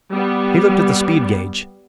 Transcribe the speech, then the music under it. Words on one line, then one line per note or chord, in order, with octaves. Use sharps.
He looked at the speed gage.
G3 B3